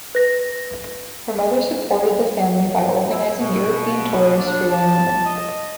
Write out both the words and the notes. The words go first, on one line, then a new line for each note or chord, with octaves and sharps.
Her mother supported the family by organizing European tours for young women.
B4 A#6
E4
B2
D4
A5
D#5